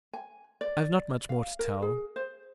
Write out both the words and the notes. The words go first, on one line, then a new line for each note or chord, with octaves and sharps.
I have not much more to tell.
G#5
D5
F5
A#4
G#4
C5